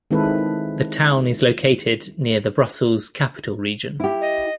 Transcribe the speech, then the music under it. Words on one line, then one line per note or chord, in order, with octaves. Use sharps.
The town is located near the Brussels-Capital Region.
D#3 G#3 C4 E4 A4 B4
E4 G4
D#5